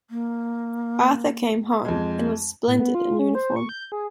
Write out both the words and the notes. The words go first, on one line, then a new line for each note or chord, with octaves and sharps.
Arthur came home, and was splendid in uniform.
A#3
F2 G#3
A2
B3
F4
C#4
C5
C#6
G6
G#4